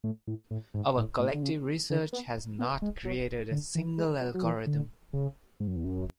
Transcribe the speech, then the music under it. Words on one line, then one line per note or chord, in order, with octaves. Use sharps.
Our collective research has not created a single algorithm.
A2
A2
A2
G#2
A2
A2
D3
C#3
D3
B3
B3
G#3
F#3
D3
E3
G#3
F#3
F#3
E3
D3
C#3
G#2
F#2
E2
F#2